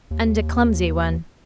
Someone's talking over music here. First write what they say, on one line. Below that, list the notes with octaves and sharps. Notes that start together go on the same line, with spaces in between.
And a clumsy one.
D#2